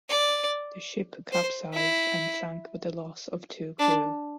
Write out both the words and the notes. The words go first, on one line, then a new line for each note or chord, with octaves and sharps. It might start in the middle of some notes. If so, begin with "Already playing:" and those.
The ship capsized and sank with the loss of two crew.
D5
C5
E4
D4